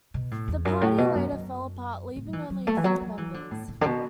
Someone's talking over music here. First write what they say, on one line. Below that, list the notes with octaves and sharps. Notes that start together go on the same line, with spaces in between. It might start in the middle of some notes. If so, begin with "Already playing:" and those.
The Party later fell apart leaving only a few members.
B2
A2
E2
F#2
A2
B2
F#2
F#2
A2
F#3
E3
F#3
A3
E3
F#3
F#3
E3
D3
A2
A2
D3
B2